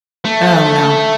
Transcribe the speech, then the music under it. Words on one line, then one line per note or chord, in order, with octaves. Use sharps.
Oh, no.
A3